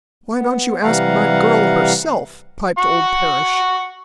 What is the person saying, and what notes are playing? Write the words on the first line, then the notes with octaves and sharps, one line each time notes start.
"Why don't you ask my girl herself?" piped old Parrish.
B3
C3 E3 G3 F5 F#5 A#5
F#5 C#6